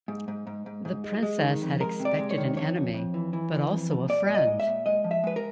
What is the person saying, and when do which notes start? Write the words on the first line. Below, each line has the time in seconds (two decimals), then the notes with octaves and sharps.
The Princess had expected an enemy, but also a friend.
0.08 G#2
0.28 G#2
0.47 G#2
0.66 G#2
0.85 G#2
1.04 G#3
1.23 G#3
1.42 D#3
1.62 F2
1.80 G#3 A#4
2.00 C3
2.05 D5
2.19 G#3
2.31 C#5
2.38 D#3
2.56 F2 C#5
2.76 F2
2.94 F2
3.14 E3
3.33 E3
3.52 E3
3.71 F2
3.90 F2
4.09 A#2 D5
4.29 A#2
4.35 D#5
4.47 G#3
4.60 E5
4.66 A#2
4.86 G#3 D#5
5.04 F3
5.11 E5
5.24 G#3 B4
5.36 A#4